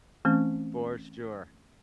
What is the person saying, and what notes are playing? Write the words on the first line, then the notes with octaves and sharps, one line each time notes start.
For sure.
E3 A3 C4 C#4